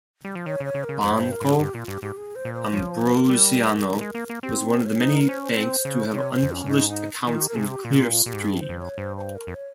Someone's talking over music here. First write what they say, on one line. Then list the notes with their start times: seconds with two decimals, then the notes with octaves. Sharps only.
Banco Ambrosiano was one of the many banks to have un-published accounts in Clearstream.
0.24 G3
0.35 F3
0.46 D#3 C#5
0.60 C#3 C#5
0.74 C#3
0.84 A#4
0.89 C#3
1.03 F2 C5
1.13 G#2
1.18 G2 C5
1.31 A#4
1.41 G#2 G#4
1.59 G2 G4
1.74 A#2 F4
1.88 G2 G4
2.02 G#2 G4
2.17 G#4
2.36 C5
2.45 A#2
2.54 C5
2.73 F3 C#5
2.92 C5
3.12 A#4
3.30 G3
4.01 G#3
4.15 A#3
4.30 A#3
4.43 C4 G4
4.58 D#4
4.71 A#4
4.86 C#5
5.00 D#4 C5
5.15 A#4
5.28 C#4 C5
5.43 C5
5.57 C4
5.85 C#3
6.14 C3 C#5
6.33 C5
6.43 F2
6.52 C#4
6.66 G2
6.70 G#2 D#4
6.89 D#4
7.27 D#3 F4
7.41 G4
7.49 A#4
7.55 C3 G#4
7.69 G4
7.84 A#2 F4
7.98 F4
8.12 F4
8.26 A#2 G4
8.33 G#2
8.41 G2 G#4
8.60 C5
8.69 F2
8.79 C#5
8.98 G2 C5
9.16 C5
9.35 A#4
9.47 F2
9.54 C#5